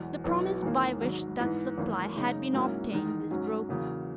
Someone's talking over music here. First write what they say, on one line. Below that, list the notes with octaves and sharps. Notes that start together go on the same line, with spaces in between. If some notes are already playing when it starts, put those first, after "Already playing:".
The promise by which that supply had been obtained was broken.
Already playing: E1 E2 B2 F#3
B1 B2 F#3 B3 E4
E1 E2 D#3 A#3
G#1 G#2 F#3
G#2 E3 B3
G#1 F#2 E3 A#3
F#2 C#3 G#3 D#4
G#2 F#3 A#3 C#4 E4
E2 D#3 G#3 D#4
G#2 F#3 C#4
E2 C#3 F#3 A#3